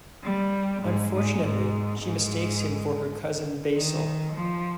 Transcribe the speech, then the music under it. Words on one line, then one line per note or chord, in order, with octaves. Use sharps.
Unfortunately, she mistakes him for her cousin Basil.
G3
G#2
G#2
G#2
G#2
D#3
F3